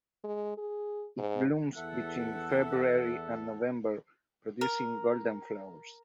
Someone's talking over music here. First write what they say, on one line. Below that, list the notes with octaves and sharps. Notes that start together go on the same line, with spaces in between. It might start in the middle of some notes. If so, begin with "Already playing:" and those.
It blooms between February and November producing golden flowers.
G#3
G#4
G#2
E2 A4 E5 F#5
A#4